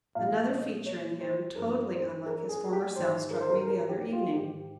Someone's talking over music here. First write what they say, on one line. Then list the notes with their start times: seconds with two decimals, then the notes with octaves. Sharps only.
Another feature in him, totally unlike his former self, struck me the other evening.
0.15 A#2 F3 F5
0.51 D#5
0.86 C#5
1.21 C5
1.55 G2 F3 A#4
1.91 C5
2.26 A#4
2.49 G#4
2.73 G4
2.95 G#2 D#3 C5
3.31 A#4
3.41 C5
3.50 A#4
3.66 A#4
3.89 G4
4.13 F4
4.35 G#2 D#3 G4